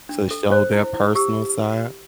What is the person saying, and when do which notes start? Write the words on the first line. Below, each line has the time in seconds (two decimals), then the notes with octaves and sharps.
to show their personal side,
0.09 D4
0.31 A4
0.52 C5
0.73 E4
0.94 E4
1.15 G4 E6